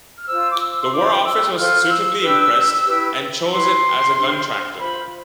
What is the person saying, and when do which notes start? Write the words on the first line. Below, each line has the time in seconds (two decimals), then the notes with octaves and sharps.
The War Office was suitably impressed and chose it as a gun-tractor.
0.16 F6
0.26 F4 C5 E6
0.49 D6
0.58 E6
0.81 C6
0.90 F4 C5 D6
1.23 E6
1.55 F4 A4 C5 F6
1.88 E6
2.20 D4 G4 B4
2.85 E4 G4 B4
3.50 E4 G4 B4 C6
4.14 D4 G4 C5
4.78 F4 C5 B5